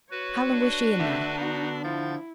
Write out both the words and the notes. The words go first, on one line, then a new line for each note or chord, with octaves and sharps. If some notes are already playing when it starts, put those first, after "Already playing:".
"How long was she in there?"
F#4 B4 C#5
D4
D3 A3 E5
B3 D#4 F#4
F3 E4 G6 A6